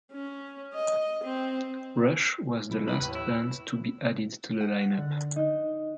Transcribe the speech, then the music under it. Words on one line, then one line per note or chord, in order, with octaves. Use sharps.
Rush was the last band to be added to the lineup.
C#4
D#5
C4
B1 E4
E3 B3 E4 B5
D#2 A2 B4
E4
F#5
F#6
D3
D#4